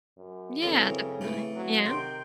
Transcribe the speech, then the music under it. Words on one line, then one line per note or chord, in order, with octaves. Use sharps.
Yeah, definitely. Yeah.
F#2
F#2 C#3 E3 C4 A4 A#5
E3 A3
F#3
C3 D#3 C6 G6 D7